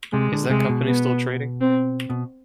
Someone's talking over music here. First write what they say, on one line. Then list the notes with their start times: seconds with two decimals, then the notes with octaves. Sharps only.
Is that company still trading?
0.13 C3 G#3
0.32 D3
0.50 C3 G#3
0.69 B2
0.87 B3
1.61 C4
2.10 B2